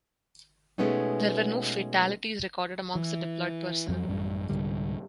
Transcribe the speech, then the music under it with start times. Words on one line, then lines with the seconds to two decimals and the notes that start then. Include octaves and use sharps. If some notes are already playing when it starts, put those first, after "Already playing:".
There were no fatalities recorded amongst the deployed personnel.
0.78 B2 G#3 A3 B3 C#4 D#4
2.95 E3
3.88 F2 F3 F#3
4.08 A1 F#2 G3
4.49 C2 G#2 D3 G3